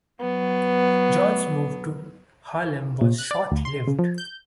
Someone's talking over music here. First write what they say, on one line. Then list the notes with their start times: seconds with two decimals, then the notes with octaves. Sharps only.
Jones's move to Harlem was short-lived.
0.20 F#3 B3
3.01 A#2
3.18 F#6
3.31 D5
3.52 D2
3.65 C6
3.88 C#3
3.99 F3
4.18 G6